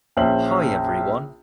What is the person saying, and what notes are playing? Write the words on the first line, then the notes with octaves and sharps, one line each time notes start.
Hi everyone.
A#1 C#4 C5 E5 F#7